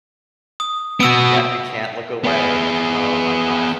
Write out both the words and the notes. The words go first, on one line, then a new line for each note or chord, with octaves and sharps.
Yeah, you can't look away, oh, my gosh.
D#6
B3 F#4 E6 D7
B3 G#4